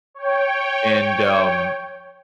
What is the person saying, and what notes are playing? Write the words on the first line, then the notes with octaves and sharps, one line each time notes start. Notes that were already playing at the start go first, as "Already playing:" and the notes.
And, um,
C#5 G5